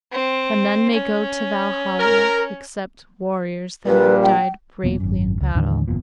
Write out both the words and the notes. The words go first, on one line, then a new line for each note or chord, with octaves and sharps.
But none may go to Valhalla except warriors that have died bravely in battle.
C4
C#4
A#4
A#1 A#2 G3 B4
G5
E1 E2 A#2 A#3
G#1 F#2
C#2
D#2 A2 D3 E3
F#1 E2 A#2